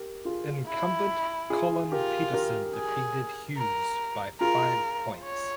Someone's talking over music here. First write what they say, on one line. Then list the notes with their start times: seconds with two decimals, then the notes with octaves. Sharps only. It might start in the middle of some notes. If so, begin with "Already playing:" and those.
Incumbent Collin Peterson defeated Hughes by five points.
Already playing: G4 A#4
0.25 F4 G#4
0.68 E4
1.50 F4 G#4
1.92 F4 G4 A#4
2.34 G4 A#4
2.75 G#4
3.58 A#4
4.41 F4 G#4 A#4
5.24 C#5